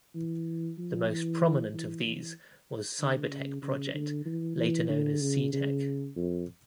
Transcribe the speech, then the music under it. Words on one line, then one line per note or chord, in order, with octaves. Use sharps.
The most prominent of these was Cyber-Tec Project - later known as C-Tec.
E3
F3
E3
E3
E3
D3
C#3
C#3
D3
E3
E3
D3
C#3
C#3
F2